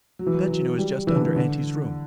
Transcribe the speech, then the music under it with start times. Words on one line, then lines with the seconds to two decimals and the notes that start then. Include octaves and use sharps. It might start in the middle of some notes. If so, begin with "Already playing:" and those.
That you know is just under auntie's room.
0.19 F#3
0.27 E3
0.34 F#3
0.48 F#3
0.78 G3
1.07 E3
1.16 D3
1.23 E3
1.36 D3